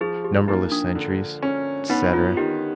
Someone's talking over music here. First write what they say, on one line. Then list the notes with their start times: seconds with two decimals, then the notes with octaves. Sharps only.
"Numberless centuries," etc.
0.01 F3 G#4
0.24 G4
0.48 A#3 D#4
0.72 D4
0.95 D3
1.43 C#4
1.90 B3 D#4
2.14 F4
2.37 D#3 G4